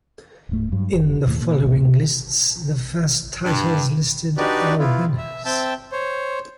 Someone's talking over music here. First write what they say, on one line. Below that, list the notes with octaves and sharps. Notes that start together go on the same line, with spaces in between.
In the following lists, the first titles listed are winners.
D1 G#2 A3
G2 F#3
F1
D#2 A2
A#2
A1 D2
G2
D4 D#4 F#4 G4 B4 D5
B3 E4 F4
E5
C4 E5 G5 A5
C5 C#5